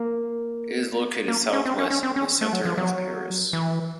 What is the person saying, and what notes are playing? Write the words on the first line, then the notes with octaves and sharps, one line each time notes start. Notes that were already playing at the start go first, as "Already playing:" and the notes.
It is located southwest of the center of Paris.
Already playing: A#3
A#3
C#4
C4
C#4
C#4
C4
C#4
A3
F#3
F3
F#3
E3